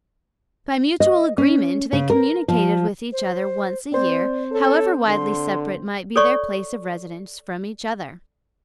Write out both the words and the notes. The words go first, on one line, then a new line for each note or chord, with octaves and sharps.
By mutual agreement they communicated with each other once a year, however widely separate might be their place of residence from each other.
D#5
C#4
C#3
A#4
F3
C5
C4 C5 D5
A4 C#5
D3 C6
A4 C#5 D5 C#6